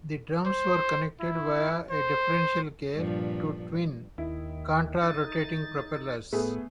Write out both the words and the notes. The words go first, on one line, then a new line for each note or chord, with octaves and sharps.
The drums were connected via a differential gear to twin contra-rotating propellers.
C5
E4
C5
G2 A#2 F3
D#2 D#3 E4
D#4 A6
A2 A3 B3 G#4